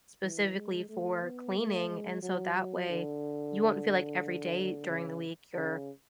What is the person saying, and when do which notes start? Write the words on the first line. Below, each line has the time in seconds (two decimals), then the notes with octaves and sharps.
specifically for cleaning. And so, that way, you won't feel like every day during the week, you're
0.23 E3
0.56 G#3
0.89 A3
1.23 B3
1.57 A3
1.89 G#3
2.23 F#3
2.55 F#3
2.89 D3
4.89 C#3
5.56 C#3